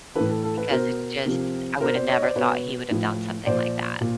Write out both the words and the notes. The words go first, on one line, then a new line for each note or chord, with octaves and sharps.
because it's just I would've never thought he would have done something like that.
A2 E3 A4 B4
A4
A4
A4 B4
B2 A#4 C5
C3 F3
B2 A#4 C5
C5 D5
C#5 D#5
C5 D5
B2 B4 C#5
A2 F3
A#2 F3 C5 D5
A#2